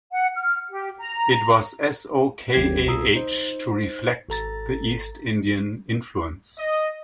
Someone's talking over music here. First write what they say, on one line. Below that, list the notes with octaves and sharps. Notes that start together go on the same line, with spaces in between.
It was s-o-k-a-h to reflect the East Indian influence.
F#5
F6
G4
A#5
G1 D#2 F#3 C4 G4 G#6
C2 B2 F4 A#5 D#6 E6
D#4 C5
G#1 A4 A#5 A6
D#5